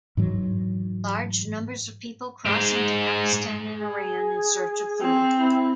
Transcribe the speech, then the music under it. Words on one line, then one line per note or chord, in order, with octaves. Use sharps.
Large numbers of people cross into Pakistan and Iran in search of food.
G#2 E3 F#3
G#2 G#3
G#4
C4
E4